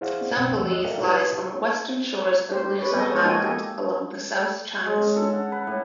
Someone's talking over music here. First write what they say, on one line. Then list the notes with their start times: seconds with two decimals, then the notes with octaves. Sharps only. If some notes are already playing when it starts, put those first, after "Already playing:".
Zambales lies on the western shores of Luzon island along the South China Sea.
0.01 E4 G#4 C5 D5 F5 F#5
0.35 C2 F#2 B2 F#5 G5
0.57 D2 F3 A3 E6
0.71 D#5 F#6
0.85 A4 A#4 D5 E5 F5 G5
1.03 E4 G4 B4 A5 D#6 G#6
2.52 G4 C5
2.78 B4 C#5 D5
2.95 B3 C4 G#4 A4 D#5
3.11 G#3 C#5
3.24 A#3 D#4 F#4 A#4 G5 G#5
3.43 A#3 G4 A4 D#5 G#5
4.86 G#3
5.00 C#4
5.16 A4
5.33 F#5
5.52 B4
5.67 A2